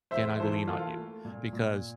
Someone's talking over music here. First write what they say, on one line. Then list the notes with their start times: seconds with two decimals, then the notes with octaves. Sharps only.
Can I lean on you? Because
0.11 E2 C5 E5
0.39 E3 A4 C5
0.67 A#3 F4 A4
0.97 A3
1.25 A#2
1.53 A#2